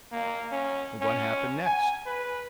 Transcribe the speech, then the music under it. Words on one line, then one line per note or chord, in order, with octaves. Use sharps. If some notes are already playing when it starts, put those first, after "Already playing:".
"What happened next?"
A#3
C#4
C#4
G#5
B4